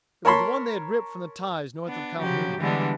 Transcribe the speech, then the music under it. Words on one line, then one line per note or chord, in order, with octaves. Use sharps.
It was the one they had ripped from the ties north of Calhoun.
A#4 C#5 A5 B5 C6
B3 D4
C#3 F3 F#3 G4
D3 E3 G3 G#3 B3 D4